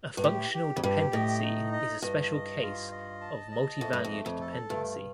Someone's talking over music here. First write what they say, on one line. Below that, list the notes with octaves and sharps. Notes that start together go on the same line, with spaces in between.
A functional dependency is a special case of multivalued dependency.
G2
A2 G4
G4
F2
G2 G4
A2 D#5
D#4
D#5
G2 D#5
D#5
F4
D#5
A5
D#5
F2 A3
G2
F2
A3
F2
A4
G2 A3